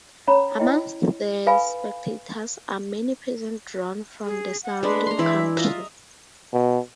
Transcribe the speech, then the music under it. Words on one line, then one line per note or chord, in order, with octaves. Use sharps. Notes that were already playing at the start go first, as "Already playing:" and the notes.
Amongst the spectators are many peasants drawn from the surrounding country.
C#4 C#5 A#5 B5
E4 D#5 G5
A4 B4 F5 G#5 B5
G#4
F#5
G#3 D4 B4
A#5 C6
E3 E4 D5 E5
F4 D#5 E5 A#5
B2